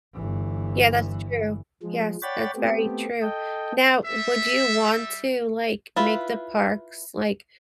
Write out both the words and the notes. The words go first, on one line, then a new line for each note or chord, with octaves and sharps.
Yeah, that's true, yes, that's very true, now, would you want to, like, make the parks, like,
G1 E3
F3 G#3
C#5 D5 F#5 G5 B5 A6
A3 B3 C4 G4
A4 D#5 G5
G3 E5
E4 F4 B4